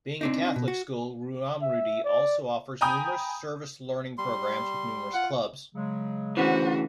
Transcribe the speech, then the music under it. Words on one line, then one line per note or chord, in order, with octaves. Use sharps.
Being a Catholic school Ruamrudee also offers numerous service learning programs with numerous clubs.
C4 D4 D#4
B2
F#4
E5
D5
G5 G#5 A#5 B5 D#6 G6
G3 C6
F4 F#5
C#3 F#3 G#3
D2 C#3 E3 F#4 C5 F#5